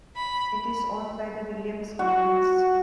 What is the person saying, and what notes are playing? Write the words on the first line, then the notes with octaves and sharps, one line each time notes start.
It is owned by the Williams Companies.
B5
F#4